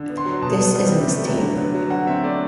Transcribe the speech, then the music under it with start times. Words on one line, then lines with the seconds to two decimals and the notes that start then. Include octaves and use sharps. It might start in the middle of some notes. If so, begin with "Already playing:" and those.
This is a mistake.
Already playing: D3
0.09 B3
0.17 C6
0.26 F#3
0.42 B2 A5
0.59 B3
0.75 G3
0.92 C3
1.08 A3
1.25 F#3
1.41 D3
1.58 B3
1.74 F#3
1.90 D3 F#5
2.07 C4 E5
2.23 A3 D5